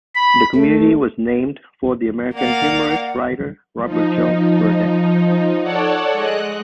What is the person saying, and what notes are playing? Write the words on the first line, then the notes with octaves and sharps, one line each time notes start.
The community was named for the American humorist writer Robert Jones Burdette.
B5
A3
A#3 D5 F5 F#5
F3 D#4
A4 C#5 D5 F#5
G#3 D#5 F#6